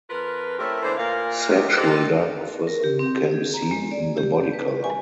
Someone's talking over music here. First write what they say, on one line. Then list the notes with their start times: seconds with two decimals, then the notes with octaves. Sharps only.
Sexual dimorphism can be seen in the body color.
0.10 F2 F4 A#4 B4
0.59 A3 C4 C#4 E4 G4 A#4
0.83 D3 E3 A#3 E4 C5
0.97 A#2 A#4 F5
1.50 C3 D#3 G4
1.76 D#4 G4 A4 A#4 C5
2.67 A#4
2.84 G4
2.99 C4
3.15 G4
3.34 G#4
3.54 A#5
3.71 G#3
3.91 D5
4.17 G4
4.54 B4
4.84 G#5